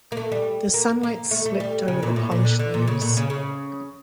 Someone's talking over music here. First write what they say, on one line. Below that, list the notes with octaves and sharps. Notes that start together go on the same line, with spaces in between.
The sunlight slipped over the polished leaves.
A#3
A3
G3
A#3
A#3
A3
A3
G3
C#3
A#2
A2
A#2
D3
D3
A#2
C#3
A#2
C#3
C#3